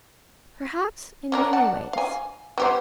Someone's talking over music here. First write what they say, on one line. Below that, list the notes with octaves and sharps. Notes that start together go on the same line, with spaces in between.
Perhaps in many ways.
C#4 D4 A#4
D5 F#5 A5
F5 G#5
B3 G4 C5